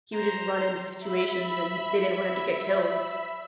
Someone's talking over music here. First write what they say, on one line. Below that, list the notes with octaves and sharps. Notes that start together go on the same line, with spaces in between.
he would just run into situations and he they didn't want him to get killed.
C5 A#5
E5 B5